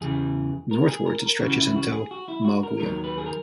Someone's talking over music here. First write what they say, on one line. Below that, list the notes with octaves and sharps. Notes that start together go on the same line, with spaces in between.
Northwards, it stretches until Mauguio.
E2 C#3 E3 G#4
A#4
G#4
A#4
A#4
C#2 C#3 E3 F#4
E4
F#4
G#4
F#4
E4
F#4
A#4
D#2 D#3 F#3 A#4
B4
G#4
A#4